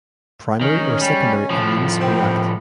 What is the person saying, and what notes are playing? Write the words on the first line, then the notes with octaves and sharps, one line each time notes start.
Primary or secondary amines react.
D#3 G#3 C#4
G3
A2 F3
A#3 C4 G5